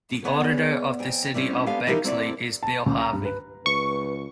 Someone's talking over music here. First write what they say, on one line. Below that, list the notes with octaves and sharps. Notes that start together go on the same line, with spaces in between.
The Auditor of the City of Bexley is Bill Harvey.
B3 G#4 C#5 D5 G#5
F2 G5 G#5
G3 A3 C4 C#4 E4
G2 G#3 B3 G4 A4 F5
E3 F3 D#4 E4 G4 A#4
F#2 C3 C4 E4 A4 D5
A5
C#2
A#5
G2
B4
C#2 B4 C#6